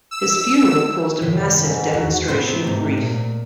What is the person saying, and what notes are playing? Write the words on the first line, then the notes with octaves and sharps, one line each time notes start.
His funeral caused a massive demonstration of grief.
E6
F#2 C3 D#3
G#2
E2 F#4
C3 B3 C4 F4 C5
G#2 A3 D#4
A#2